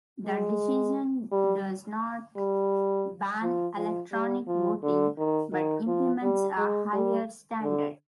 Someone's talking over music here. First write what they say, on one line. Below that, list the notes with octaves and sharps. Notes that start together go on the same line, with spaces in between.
The decision does not ban electronic voting but implements a higher standard.
G#3
G3
G3
F3
F3
G3
F3
D3
D#3
D#3
F3
G3
G#3
G3
D3